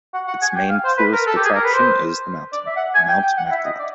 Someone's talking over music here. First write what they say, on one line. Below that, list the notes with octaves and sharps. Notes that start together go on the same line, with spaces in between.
Its main tourist attraction is the mountain, Mount Maculot.
F#5
F#5
G#5
G5
F5
C5
B4
A#4
A4
G4
G#4
A#4
B4
C5
D5
E5
F#5
G#5
G5
G5
F#5
E5
D#5
D5